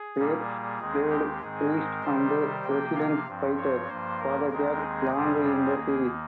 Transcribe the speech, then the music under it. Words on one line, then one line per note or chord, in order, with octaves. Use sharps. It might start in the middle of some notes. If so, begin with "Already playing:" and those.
Gretsch played priest and resistance fighter, Father Jack Landry in the series.
Already playing: G#4
A#2 G3 A#3
D#2 D#3 G#3 C4
G4
G#2 D#3 G#3 C4 G#4
A#4
C3 D#3 G3 C5
C3 F3 A#3 G5
F5
G2 F3 C4
C#5
G2 F3 A#3 C5
A#4
D#2 D#3 G#3 C4 A#4
G#4
F2 C3 G3 C4 G#4
D#2 D#3 A#3